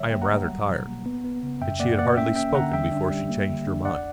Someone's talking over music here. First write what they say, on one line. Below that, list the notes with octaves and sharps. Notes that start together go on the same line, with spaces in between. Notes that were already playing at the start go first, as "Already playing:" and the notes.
"I am rather tired." And she had hardly spoken before she changed her mind.
Already playing: D3 G3 C#5 E5
A#3 G5
F#5 A#5
G3
F#3
B2
A#3
B3
B3
C#3
F#2 E5 G5
A#3 D5 F#5
A#3 D5 F#5
C#4 E5 G5
C#4 E5 G5
D3 F#5 A#5
G3 E5 G5
D4
G3
A#3
D3
D4
E2 D5 F#5